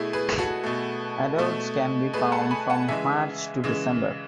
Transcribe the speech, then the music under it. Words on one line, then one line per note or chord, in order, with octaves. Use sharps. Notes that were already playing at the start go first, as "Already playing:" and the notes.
Adults can be found from March to December.
Already playing: B2 A3 E4 G#4
G#4 B4
F#4 A4
B2 A3
B2 A3
B2 A3 G#4 B4
F#5 A5
G#5 B5
F#5 A5
C#3 E3 G#3 E5 G#5
C#3 E3 G#3